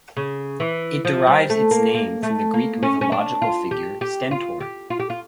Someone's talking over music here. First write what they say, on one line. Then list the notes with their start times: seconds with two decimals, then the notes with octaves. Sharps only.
It derives its name from the Greek mythological figure Stentor.
0.17 C#3
0.60 E3
1.05 F3
1.27 G3
1.50 A3
1.71 A#3
1.94 A#3
2.23 A3
2.54 A#3
2.83 C#4
3.01 C#4
3.12 D4
3.42 F4
3.71 G4
4.01 G4
4.31 F4
4.61 G4
4.90 F4
5.00 G4
5.10 F4